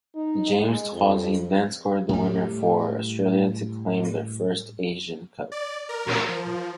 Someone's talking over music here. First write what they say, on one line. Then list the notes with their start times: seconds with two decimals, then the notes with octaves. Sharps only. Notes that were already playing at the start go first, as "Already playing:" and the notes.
James Troisi then scored the winner for Australia to claim their first Asian Cup.
0.15 D#4
0.58 G#3
0.92 F2
2.09 A2 G3
5.52 D5
5.89 A#4
6.29 F3